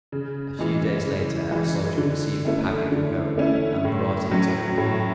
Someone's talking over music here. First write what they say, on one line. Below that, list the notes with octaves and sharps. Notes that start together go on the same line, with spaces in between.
A few days later a soldier received a packet from home and brought it to him.
C#3
E3 G#3
C#3
E3 G#3
D3
A3 C#4 E4
D3
A3 C#4 E4
A2
F#3 C#4
A2